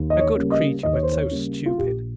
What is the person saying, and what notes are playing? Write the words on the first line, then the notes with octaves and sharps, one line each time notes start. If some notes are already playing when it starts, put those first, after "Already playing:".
A good creature, but so stupid!
Already playing: D#2
D#5
C#5
C#3 G3 A#3
D#5
D#2 D#5
C#5
C5
C#5
C#3 G3 A#3
F4
A#1 G4